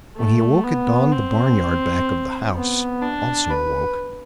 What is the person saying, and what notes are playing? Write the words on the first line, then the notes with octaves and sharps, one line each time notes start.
When he awoke at dawn the barnyard back of the house also awoke.
A3
B3
C4
B3
D4
B4